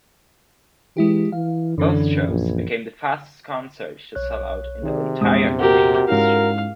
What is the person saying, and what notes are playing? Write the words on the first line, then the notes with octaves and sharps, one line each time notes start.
Both shows became the fastest concert to sell out the entire arena in history.
E3 G#3 E4 G4
E3 F5
F#2 D3 E3 C#4
A#1
B1 C#5 F#6
C3 D#3 G#4 D5
A#1 E2 G#3 C4 D#6
F#4 G4 A#4 F#5
G#2 C#4 E4 A#4 F5